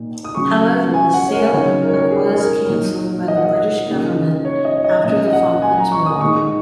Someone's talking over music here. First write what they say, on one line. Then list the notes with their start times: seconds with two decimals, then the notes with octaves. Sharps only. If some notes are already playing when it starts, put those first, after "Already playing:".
However, the sale of was cancelled by the British Government after the Falklands War.
Already playing: A#2 D#4
0.24 D#6
0.35 C#3 F#3 C#4 C#6
0.94 G#5
1.14 F#5
1.28 C#5
1.32 A#4
1.52 C#3 F#3 D#4 C#5
1.82 A#4
1.89 C#5
1.96 A#4
2.11 G#4
2.32 G#4
2.40 A#4
2.70 A#2 F#3 A#3 D#4
3.28 D#5
3.37 F#5
3.45 D#5
3.86 C#3 A#3 D#4
4.45 C#5
4.65 D#5
4.77 C#5
4.84 D#5
5.04 A#2 A#3 C#4 D#5
5.28 D#5
5.33 F#5
5.62 G#5
5.78 A#5
5.92 C#6
6.06 D#6
6.21 A#2 G#3 D#4 C#6